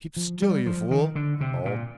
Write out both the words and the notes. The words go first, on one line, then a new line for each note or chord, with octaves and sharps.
"Keep still, you fool!" I bawled.
F3
G3
F3
D#3
D3
C3
A#2